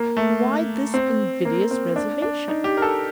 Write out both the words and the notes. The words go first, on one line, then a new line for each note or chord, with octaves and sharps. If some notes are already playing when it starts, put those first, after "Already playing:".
Why this invidious reservation?
Already playing: A#3
A3
C4
A#3
C4
D4
D4
D#4
G4
A#4
A4